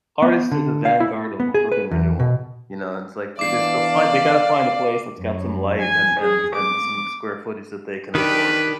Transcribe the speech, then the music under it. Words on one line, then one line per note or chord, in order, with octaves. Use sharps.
artists are the vanguard of urban renewal. You know? And it's like, this they'll find they gotta find a place that's got some light and and and some square footage that they can afford,
B3
D3
F5
E4
B3
G#4
B4
E2
B2
E3 B3 D4 D5 F5 D6 C7
F#2
G#5
G#4
D6
D#3 D4 G4 B4